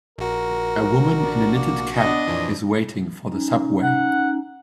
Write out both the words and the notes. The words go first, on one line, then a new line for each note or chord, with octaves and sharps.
A woman in a knitted cap is waiting for the subway.
A#1 F#4 A#4
D4
A#3
B3 D4 D#5
F2 A#2 E3
C#4 D#4
F#5